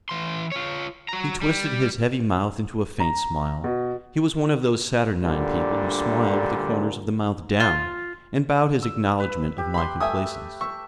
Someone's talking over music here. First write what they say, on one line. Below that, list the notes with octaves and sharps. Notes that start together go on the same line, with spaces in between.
He twisted his heavy mouth into a faint smile--he was one of those saturnine people who smile with the corners of the mouth down,--and bowed his acknowledgment of my complaisance.
E3 C6
F4 C#5
F#4 A#5
G3
A#5
B2
D2 A#2 D3 G3
F4
E6
B4
G4
B5 C6
A3 E5 G#5 D#6
E5 C#6